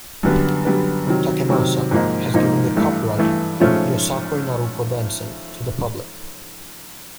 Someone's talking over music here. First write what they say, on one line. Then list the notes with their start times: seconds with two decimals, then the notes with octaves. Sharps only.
Takemasa has given the copyright on "Yosakoi Naruko Dancing" to the public.
0.23 F#2 D3 G3 B3
0.65 F#2 D3 G3 B3
1.07 C3 D#3 F#3
1.49 C3 D#3 F#3
1.91 G#2 F3 A#3 D#4
2.34 G#2 F3 A#3 D#4
2.76 G2 E3 A3
3.18 G2 E3 A3
3.60 G#2 F3 A3 C#4 F4